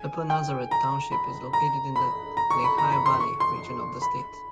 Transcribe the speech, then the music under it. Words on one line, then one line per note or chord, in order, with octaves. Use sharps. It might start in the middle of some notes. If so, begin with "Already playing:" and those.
Upper Nazareth Township is located in the Lehigh Valley region of the state.
Already playing: G#5
G5
A#5
B5
A#5
B5
A#5
C#6
B5
A#5
B5
C6
C#6
C6
B5